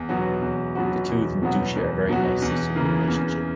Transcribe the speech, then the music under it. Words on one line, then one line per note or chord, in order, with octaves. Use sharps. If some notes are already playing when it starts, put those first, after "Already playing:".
The two of them do share a very nice sisterly relationship.
Already playing: E2
B2 F#3 B3 F#4
E2
B2 F#3 B3 F#4
E2
B2 F#3 B3 F#4
E2
B2 F#3 B3 F#4
E2
C#3 E3 A#3
E2